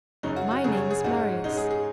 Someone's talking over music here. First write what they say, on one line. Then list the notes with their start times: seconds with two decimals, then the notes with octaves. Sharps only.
My name is Marius.
0.23 F#2 C#3 F#3 C#4 D#4
0.36 F#4
0.51 F#4
0.64 F#2 C#3 F#3 C#4 G#4
0.77 C#5
0.91 G#4
1.04 G#2 G#3 C#4 F#4
1.44 G#2 G#3 C#4 D#4
1.57 G#4
1.70 G#4